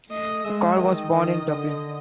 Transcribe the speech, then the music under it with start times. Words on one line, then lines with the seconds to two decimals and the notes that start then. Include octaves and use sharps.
Carr was born in Dublin.
0.10 A3 D#5
0.44 G#3 E5
0.77 D#3 D#5
1.10 D#3
1.44 D3